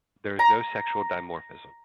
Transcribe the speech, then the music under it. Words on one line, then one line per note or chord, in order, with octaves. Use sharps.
There is no sexual dimorphism.
A#5